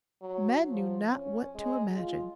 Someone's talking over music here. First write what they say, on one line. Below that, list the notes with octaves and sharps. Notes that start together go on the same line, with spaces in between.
Men knew not what to imagine.
F#3
F3
C#4
G#3
F4